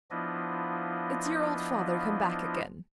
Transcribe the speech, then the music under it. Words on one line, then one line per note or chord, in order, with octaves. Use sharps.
It's your old father come back again.
F3 B3 D4 E4 F4 D#5